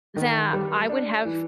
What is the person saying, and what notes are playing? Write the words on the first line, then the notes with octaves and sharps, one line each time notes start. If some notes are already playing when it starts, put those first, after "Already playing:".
that I would have
D#3
G3
D4
E3